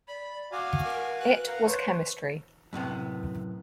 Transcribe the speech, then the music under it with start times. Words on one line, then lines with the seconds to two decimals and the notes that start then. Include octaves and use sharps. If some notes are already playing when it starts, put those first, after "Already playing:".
It was chemistry.
0.08 D5 B5
0.52 F#4 F5 G#5 D6
0.84 A#4
1.21 B4 F#6
1.47 A#4 F5 F#5
1.66 C5 C#5
2.73 F#2 A2 C3 B3